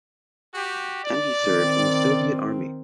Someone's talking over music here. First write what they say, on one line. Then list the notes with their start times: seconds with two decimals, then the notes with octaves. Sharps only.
Then he served in the Soviet army.
0.54 F#4 G4
1.04 D5
1.46 D#3 C4